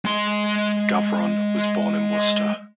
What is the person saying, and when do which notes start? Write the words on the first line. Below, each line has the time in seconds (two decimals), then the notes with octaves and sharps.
Gavron was born in Worcester.
0.05 G#3 C6